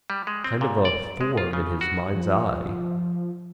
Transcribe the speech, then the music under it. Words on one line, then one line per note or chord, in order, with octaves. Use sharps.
Kind of a form in his mind's eye.
G3
G#3
C4
A#2
D5
G#3
F4
C#3
F#4
F3